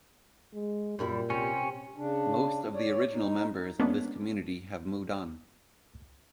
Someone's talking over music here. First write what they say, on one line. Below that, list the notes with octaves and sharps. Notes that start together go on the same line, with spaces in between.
Most of the original members of this community have moved on.
G#3
F#2 A#2 G3 E4
C3 C#4
C#3 D4
C#5 D5
D#4
G#3 A#3 B3 C#4 D4